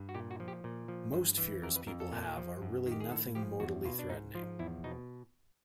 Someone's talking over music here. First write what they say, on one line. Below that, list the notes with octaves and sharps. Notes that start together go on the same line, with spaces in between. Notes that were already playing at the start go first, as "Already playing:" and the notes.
Most fears people have are really nothing mortally threatening.
Already playing: G2
F#4
A#2 G4
F#4
F3
G4
A#2
F3
G2
E3
F2 A#4
B4
F2 A#4
A4
A#2
F3
F#2
D#3
G4
G#4
A2 A4
F3 G4
E2 F#4
B2 F4
D4
G#2 D#4
F3 F4
E2 E4
B2 D#4